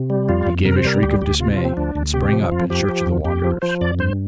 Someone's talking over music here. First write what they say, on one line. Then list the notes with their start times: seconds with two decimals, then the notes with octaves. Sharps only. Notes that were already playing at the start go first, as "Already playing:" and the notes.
He gave a shriek of dismay, and sprang up in search of the wanderers.
Already playing: C3
0.10 G3
0.29 F2 F4
0.47 F2
0.65 C3 A#4
0.77 C5
0.85 G3 A#4
1.03 D2 G4
1.21 D2 G4
1.39 C3 F4
1.52 F4
1.58 F3
1.65 C4
1.77 D2 D4
1.95 D2
2.14 C3 G4
2.33 F3
2.51 F2 F4
2.70 F3 G4
2.89 F3
3.06 F2
3.25 F2 G4
3.44 F3
3.62 F3 C5
3.81 F2 D5
3.99 G2 C5